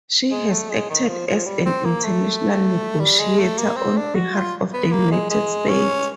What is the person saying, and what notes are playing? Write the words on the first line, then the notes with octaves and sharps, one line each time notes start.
She has acted as an international negotiator on behalf of the United States.
G#3
A3
G#3
D#3
F3
F3
G3
C4
A#3
A3
G3
G#3
A3
A#3
C4
D4
F#4
F4
B3
A#3
G#3
G#3
C#4